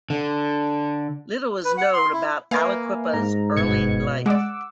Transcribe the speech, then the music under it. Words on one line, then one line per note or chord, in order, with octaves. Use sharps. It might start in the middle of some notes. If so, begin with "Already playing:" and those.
Little is known about Aliquippa's early life.
D3
B4
F#5
C6
E4
A#3 B4 E5 F5 G#5 D6
G#2 A#5
G1 B2 G#6 C#7
G#3 D5 F#5 D6 E6